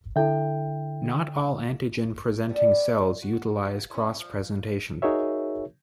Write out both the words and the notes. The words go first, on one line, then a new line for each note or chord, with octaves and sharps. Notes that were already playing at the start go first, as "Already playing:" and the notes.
Not all antigen-presenting cells utilize cross-presentation.
D3 E4 A4 E5 G5
G3 B3 D4
F#4
C#4 E4
F3
D#4 F#4 G#4 A#4 C#5 E5